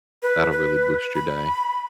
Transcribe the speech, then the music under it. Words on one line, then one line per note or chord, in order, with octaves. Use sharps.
That'll really boost your day.
B4
B4
B5